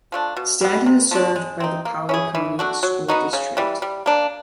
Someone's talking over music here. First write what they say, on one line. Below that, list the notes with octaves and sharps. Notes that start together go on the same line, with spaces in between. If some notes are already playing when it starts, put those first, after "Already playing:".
Stanton is served by the Powell County School District.
F3 A3 D4
B2
G3 B3
C3
F3 A3 D4
G#3
C4 D#4
A#3
C#4 E4 G#4
E3
A3 D4 F#4
F#3
B3 D#4 F#4
C#3
E3 G3
G3
A#3 D4